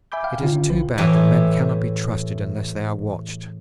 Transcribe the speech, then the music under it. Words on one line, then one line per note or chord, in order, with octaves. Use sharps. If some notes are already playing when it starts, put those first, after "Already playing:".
It is too bad that men cannot be trusted unless they are watched.
E5 G#5 B5 D6 G6
F5 G5
D3 D#3 C#4 F4
B1 B4
A2 E3 G4 G#4